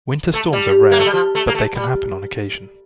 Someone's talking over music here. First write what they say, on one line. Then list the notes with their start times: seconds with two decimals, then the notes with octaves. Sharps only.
Winter storms are rare, but they can happen on occasion.
0.34 A3
0.53 G3
0.91 A#3
0.99 A3
1.06 G3
1.13 F3
1.35 A3
1.47 A#3
1.55 A3
1.75 G3